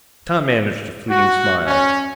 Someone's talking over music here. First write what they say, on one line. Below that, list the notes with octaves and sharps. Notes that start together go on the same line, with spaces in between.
Tom managed a fleeting smile.
F#4
C#4